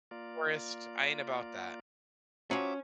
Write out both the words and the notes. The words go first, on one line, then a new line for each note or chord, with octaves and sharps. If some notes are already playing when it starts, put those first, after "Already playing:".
forest, I ain't about that.
A#3 F4 D5
F3 F#3 C#4 E5 D6